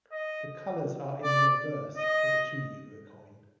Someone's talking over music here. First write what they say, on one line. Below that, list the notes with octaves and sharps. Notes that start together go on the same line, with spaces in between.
The colours are in the reverse for the two euro coin.
D#5
D5
D#5